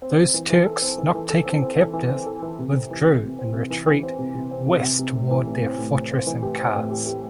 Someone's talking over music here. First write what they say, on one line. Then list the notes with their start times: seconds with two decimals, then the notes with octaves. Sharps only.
Those Turks not taken captive withdrew in retreat west toward their fortress in Kars.
0.02 C4
0.17 C4
0.34 E3
0.50 E3
0.66 A4
0.82 C4
0.98 E3
1.14 E3
1.30 A4
1.46 C4
1.62 C4
1.78 E3
1.93 E3
2.09 C4
2.26 A4
2.42 E3
2.59 C3
2.74 C4
2.91 E3
3.06 E3
3.22 C3
3.39 C4
3.54 C3
3.70 E3
3.87 E3
4.03 C4
4.19 C3
4.35 C3
4.51 C4
4.67 C3
4.83 C3
4.99 C3
5.15 A2
5.31 E3
5.46 A2
5.62 C4
5.78 A2
5.95 C4
6.11 C4
6.27 E3
6.42 G4
6.59 C4
6.74 A2
6.90 G4
7.07 G4